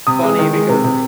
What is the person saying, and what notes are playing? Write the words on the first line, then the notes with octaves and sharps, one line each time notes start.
funny because
C3 D#6
G#3
D#3
G#3
C3
C3